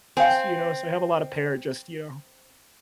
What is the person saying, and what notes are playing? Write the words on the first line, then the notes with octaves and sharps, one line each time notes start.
s you know, so I have a lot of pair just, you know,
C4 F5 G5 G#5